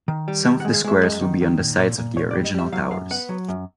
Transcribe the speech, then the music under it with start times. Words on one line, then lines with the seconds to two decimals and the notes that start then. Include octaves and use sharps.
Some of the squares will be on the sites of the original towers.
0.08 D#3
0.28 G3
0.45 D#3 G5
0.60 F#5
0.65 G#3
0.74 F5
0.84 G#3 E5
1.03 F#2 D#5
1.22 D#3
1.41 D#3
1.60 A#2
1.79 A#2
1.98 A#2
2.17 A#2 C#5
2.31 D5
2.35 G3
2.45 D#5
2.54 G3 E5
2.73 F#3 F5
2.91 F#2 F5
3.11 B3 F#5
3.29 F#3
3.48 F#2